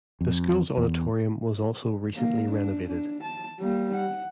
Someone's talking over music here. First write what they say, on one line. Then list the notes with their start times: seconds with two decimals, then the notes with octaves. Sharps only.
The school's auditorium was also recently renovated.
0.21 F2
0.77 E2
2.17 A#3
2.51 D4
2.89 D4
3.24 A5
3.60 G3 A#3
3.95 F#5